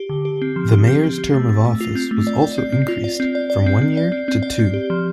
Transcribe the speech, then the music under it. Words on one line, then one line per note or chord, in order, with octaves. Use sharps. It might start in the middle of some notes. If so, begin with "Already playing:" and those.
The mayor's term of office was also increased from one year to two.
Already playing: G4
D3
G4
C4
F3
G4
C4
G4
C4
A3
A3
A3
F4
C4
A3
D5
D5
C4
C4
F4
D5
C4
D5
D5
C4
C4
D5
C4
C4
D5
C4
G4
F3